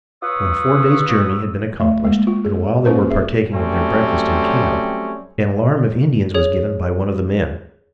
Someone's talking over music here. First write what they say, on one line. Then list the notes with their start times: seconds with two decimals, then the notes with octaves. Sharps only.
When four days' journey had been accomplished, and while they were partaking of their breakfast in camp, an alarm of Indians was given by one of the men.
0.22 F4 B4 C#5 D#6 E6
1.80 A3
2.05 G#3 A#3
2.27 F4
2.45 G#4
2.85 A#3 C#4 F4 B4 C5
3.10 G#4 E5
3.53 F#3 G3 A3 C4 C#4
6.34 G#4 C#5